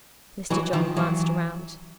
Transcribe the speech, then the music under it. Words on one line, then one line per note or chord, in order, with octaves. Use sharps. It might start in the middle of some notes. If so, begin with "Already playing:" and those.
Mr. John glanced round.
E3 F#3
D#3 F3
E3 F#3